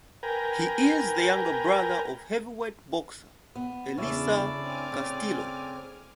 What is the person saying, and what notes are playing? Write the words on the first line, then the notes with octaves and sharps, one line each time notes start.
He is the younger brother of Heavyweight boxer Elieser Castillo.
A#4 B4 G5 G#5 A#5
B3
E2 C#3 A3 C#4 D4 E4 D5
C4 G#5 D6 F6
C#3